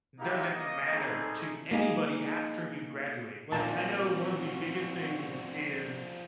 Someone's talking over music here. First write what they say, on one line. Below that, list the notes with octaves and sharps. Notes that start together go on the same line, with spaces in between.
doesn't matter to anybody after you graduate. Like, I know one of the biggest things is
G#3 A#3 D#4 E4 F#4 G4
A#3 D#5
G3 A3 C4 D#4 G#4
A#3 D#4 G#4
A#2 F3 G3 C4 F#4 A5